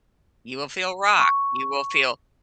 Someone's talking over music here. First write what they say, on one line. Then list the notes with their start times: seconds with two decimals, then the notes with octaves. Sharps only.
You will feel rock, you will feel
1.19 C#6